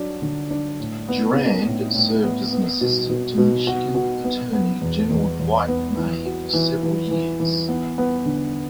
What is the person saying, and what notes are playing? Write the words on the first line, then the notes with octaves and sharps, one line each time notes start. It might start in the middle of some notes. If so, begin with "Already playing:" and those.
Durand served as an assistant to Michigan Attorney General Dwight May for several years.
Already playing: F#3 D4
D3
D4
A2
B3
B3
A2
A2
B3
B3
B2
B2
B2
F#4
F#4
B3
B3
E2
E2
E2
B3
E3
F#4
E3
E3
E3
E3
B3
B3
D3